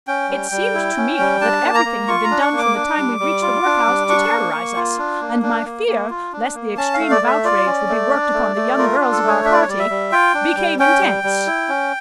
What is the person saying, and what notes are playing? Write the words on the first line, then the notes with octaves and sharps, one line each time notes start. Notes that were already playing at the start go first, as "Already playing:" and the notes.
It seemed to me that everything had been done from the time we reached the workhouse to terrorize us, and my fear lest the extreme of outrage would be worked upon the young girls of our party became intense.
C#4 G5
G3
G3
E4
C#4
G3
D4 A5
A#3
A#5
A#3
F4 C#6
A#5
D4
C#6
A#3
D6
D4
G3
G3
F4
D4
G3
D4 C#6
A#3
A#3
F4
D4
A#3
D4
A#3
A#3
F4
D4
A#3
C#4 A5
F5
A3
D5
A3
E5
F4 D5
C#4
A3
D4
A3
A3
F4 A#4
D4
A4
A3
C#5
D4 E5
D5
C#5
G3 D5
E5
G3
F4 G5
D4
G3
C#4 G5
G3
G3
E4
C#4